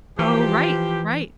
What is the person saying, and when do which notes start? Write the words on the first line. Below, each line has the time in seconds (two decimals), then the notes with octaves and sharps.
Oh, right. Right.
0.19 E3 F3 G4